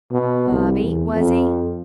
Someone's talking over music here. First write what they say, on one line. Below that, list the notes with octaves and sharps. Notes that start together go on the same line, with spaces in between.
"Bobby, was he?"
B2
C2
E2
F2